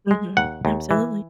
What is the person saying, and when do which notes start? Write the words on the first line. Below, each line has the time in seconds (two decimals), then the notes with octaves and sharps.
Mhm, absolutely.
0.11 G#3
0.37 D#2 F#5
0.65 D#2
0.91 E3